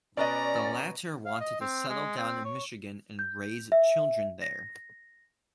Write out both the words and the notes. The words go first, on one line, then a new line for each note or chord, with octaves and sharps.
The latter wanted to settle down in Michigan and raise children there.
B2 C#4 B4 D5 D#5 A#5
F5
D#5
C4
G#3
C4
C#5
G6
E5
A#6